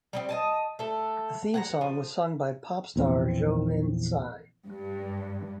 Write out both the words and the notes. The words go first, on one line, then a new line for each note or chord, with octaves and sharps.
The theme song was sung by pop star Jolin Tsai.
G3 A#3 C4
D#5 G#5 A5
A3 A4
F#5 G#5 A#5
F3
A#1 E2 C4
G2